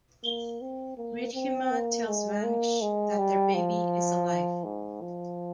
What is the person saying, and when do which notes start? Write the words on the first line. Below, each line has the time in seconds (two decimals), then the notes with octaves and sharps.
Riddhima tells Vansh that their baby is alive.
0.24 A#3
0.61 C4
0.98 A#3
1.34 C4
1.71 A#3
2.07 G#3
2.44 A#3
2.82 G#3
3.18 G3
3.55 F3
4.64 G#2
5.01 F3